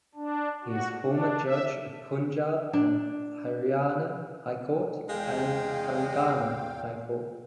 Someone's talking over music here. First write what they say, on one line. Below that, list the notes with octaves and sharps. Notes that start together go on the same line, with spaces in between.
He is former Judge of Punjab and Haryana High Court and Telangana High Court.
D4
F#4
D4
E5
D4
E2 G#3 F5 G5